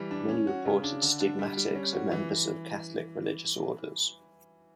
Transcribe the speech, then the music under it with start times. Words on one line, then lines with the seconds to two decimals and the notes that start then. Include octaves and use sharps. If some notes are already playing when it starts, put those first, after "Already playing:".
Many reported stigmatics are members of Catholic religious orders.
Already playing: E3 G3
0.11 D4
0.29 C#4
0.47 F#4
0.65 C#3
0.83 D4
1.02 D3
1.20 D4
1.39 G3
1.57 G3
1.75 C#4
1.93 F#4
2.11 E3
2.30 E3